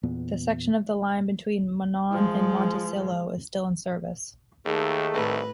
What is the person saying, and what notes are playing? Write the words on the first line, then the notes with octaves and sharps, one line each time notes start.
The section of the line between Monon and Monticello is still in service.
E2 A#2 B3
F3 G#3
D#2 D#3 A3 G#4
C2 A2 B4